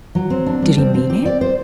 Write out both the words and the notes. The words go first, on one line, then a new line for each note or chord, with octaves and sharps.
"Did he mean it?"
F#3
C4
D4
G3
C4
C4
G4
D5
C5